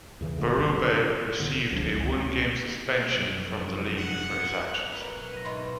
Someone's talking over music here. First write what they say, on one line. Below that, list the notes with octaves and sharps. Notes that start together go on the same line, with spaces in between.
Berube received a one-game suspension from the league for his actions.
E2 C#3 E3
D1 D3 A3
F#1 G2 C3
A#1 A2 D3 B3
F#1 C#2 F3 D4
C#2 D#3 E3 C#4
F1 F#2
F#5
A#4 B4 G#5
B2 F#3
E4 A#6 D#7
G#2 B2 F#3 D#5 B5 C6